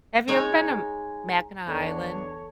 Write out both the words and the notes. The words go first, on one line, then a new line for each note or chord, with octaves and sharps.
have you ever been to Mackinac Island?
G#3 D#4 C#5 G#5 A#5
E2 B3 D4 A4 C#5